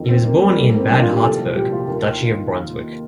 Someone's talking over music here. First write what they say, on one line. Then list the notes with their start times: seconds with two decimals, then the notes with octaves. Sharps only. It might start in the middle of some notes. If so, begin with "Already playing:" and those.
He was born in Bad Harzburg, Duchy of Brunswick.
Already playing: F2 D#3
0.09 C4
0.25 F2 D#3 A#3
0.42 G3
0.57 G2 A3
0.61 D#3
0.69 A#3
0.79 C4
0.90 G2 D#3 D4
1.02 F4
1.12 G4
1.23 C2 A#2 F3 A4
1.55 C2 A#2 F3 G4
1.72 F4
1.87 D#2 D#3
2.20 D#2 D#3